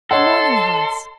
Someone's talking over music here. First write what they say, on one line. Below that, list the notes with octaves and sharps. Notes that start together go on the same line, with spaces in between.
'Good morning, Hans.
A4 C#5 D#5 F#5 C6